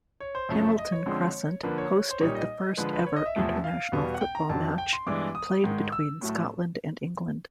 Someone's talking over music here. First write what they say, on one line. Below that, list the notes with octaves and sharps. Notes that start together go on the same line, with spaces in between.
Hamilton Crescent hosted the first ever international football match, played between Scotland and England.
C#5
C5
F#2 C#3 F3 A3
E5
D#5
C#5
D3 F3 G#3 C4
D3 F3 A#3 B4
C#5
C5
A#2 G3 A#3 D#4 C#5
D#5
D3 F3 G#3 B4
B4
C#5
D#5
E5
E2 C3 F3 A3
F5
E2 B2 G3 B3
F#5
G5
A#5
F2 D3 F#3 A5
G5
C6
G2 E3 G#3 B3 D4 D6
D#6
G#2 D#3 G#3
E6
A2 F#3 A3